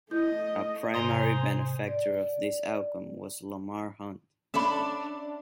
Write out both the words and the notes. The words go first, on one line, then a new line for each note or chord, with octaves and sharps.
A primary benefactor of this outcome was Lamar Hunt.
A3 E4 D#5 G6
G#2 C3 C5 G#5 A#5 C6 D#6
D5
C#4 D4 A4 E5 B5